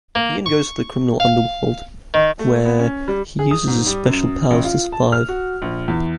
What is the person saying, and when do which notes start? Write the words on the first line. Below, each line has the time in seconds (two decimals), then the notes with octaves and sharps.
Ian goes to the criminal underworld where he uses his special powers to survive.
0.15 A#3
0.46 C#6
1.20 F5
2.14 D#3
2.39 A3
2.65 B3
2.79 C#4
3.08 G3
3.39 G#4
3.51 D#6
3.68 G#2
3.86 G3
4.05 F#2
4.51 A1
4.65 F4
4.92 A5
5.12 F6
5.29 F#4
5.62 A#1
5.88 E2